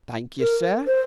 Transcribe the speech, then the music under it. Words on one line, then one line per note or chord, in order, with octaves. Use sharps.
"Thank you, sir."
A#4
C5